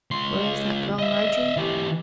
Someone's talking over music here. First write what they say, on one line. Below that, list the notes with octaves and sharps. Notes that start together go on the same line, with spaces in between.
Where is that girl Margery?'
C#2 C6
D#5 E5
E3 G4